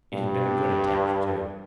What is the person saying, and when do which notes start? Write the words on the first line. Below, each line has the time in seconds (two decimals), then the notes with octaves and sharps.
It had been a good attempt, too.
0.13 G2